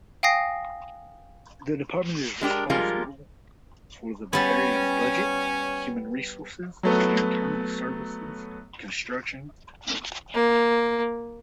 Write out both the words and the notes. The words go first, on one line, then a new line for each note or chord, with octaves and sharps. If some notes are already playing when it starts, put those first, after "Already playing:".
The department is responsible for the areas "budget", "human resources" and "internal services, construction".
F5 G5 G#5 D#6 A#6 C7
G#3 D4 G4 A#4
F3 G3 G#3 F4 A#4
G3 B3 C#4
F#3 A3 B3
A#3